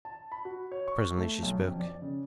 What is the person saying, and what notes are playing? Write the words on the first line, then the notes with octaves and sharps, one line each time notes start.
Presently she spoke.
A5
B5
F#4
C#5
C#6
A3
B1
F2
D5
C#3